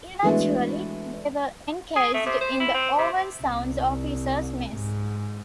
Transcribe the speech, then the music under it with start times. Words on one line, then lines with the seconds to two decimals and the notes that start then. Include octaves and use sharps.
Eventually, they were encased in the Owen Sound Officers' Mess.
0.23 E3 F#3 G#3 A3 B3 D4
1.96 G#4
2.14 A3
2.26 C3
2.41 C5
2.60 E4
2.74 C4
2.98 C3
3.43 C2
4.74 G#2